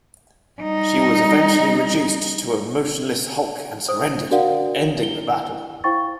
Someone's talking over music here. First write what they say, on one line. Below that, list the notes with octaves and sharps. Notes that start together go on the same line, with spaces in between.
She was eventually reduced to a motionless hulk and surrendered, ending the battle.
G3 D#4
C5 D#6
D4 F#4 A#4 D5 F5 F#5
E4 G7
E4 C5 F5 G5 C#6 A6